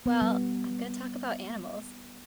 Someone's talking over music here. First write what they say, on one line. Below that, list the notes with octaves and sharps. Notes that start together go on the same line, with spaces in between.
Well, I'm gonna talk about animals.
B3
G3